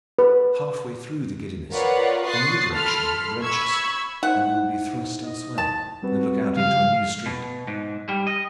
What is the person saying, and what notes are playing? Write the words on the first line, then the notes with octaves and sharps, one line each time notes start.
Halfway through the giddiness, a new direction would wrench us and we would be thrust elsewhere, and look out into a new street.
B4
F4 A#4 B4 C#5 D5 F#5
C6 C#6 D#6 F#6 A6 C7
A4 B5 C6 F6
B5 C#6 E6 G#6
D#4 E4 C5 F#5
D#5
A5
G3 C4 F#4 B4
C#3 F3 G3 F5
B2
G#2
G3
D#5